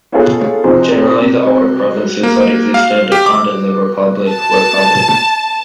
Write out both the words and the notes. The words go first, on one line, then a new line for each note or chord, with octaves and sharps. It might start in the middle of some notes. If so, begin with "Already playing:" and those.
Generally, the older provinces that existed under the Republic were public.
B3 C#4 D#4 F4 G#4 A4
C3 F3 C4 D#4 G#4 C5
C3
A#3
F5
G4
D6
A5